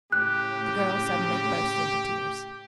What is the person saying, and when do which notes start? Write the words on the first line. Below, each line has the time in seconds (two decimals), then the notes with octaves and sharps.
The girl suddenly burst into tears.
0.12 A2 C#3 G4 F#6